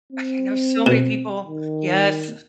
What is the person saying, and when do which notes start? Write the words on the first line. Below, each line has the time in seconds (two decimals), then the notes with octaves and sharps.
okay I know so many people yes.
0.13 C4
0.86 B2
1.47 D#3